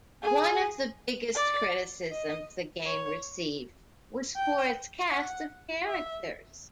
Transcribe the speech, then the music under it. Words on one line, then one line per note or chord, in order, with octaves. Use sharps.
One of the biggest criticisms the game received was for its cast of characters.
G#4
D5
D#5
C#5
G5
F#5
E5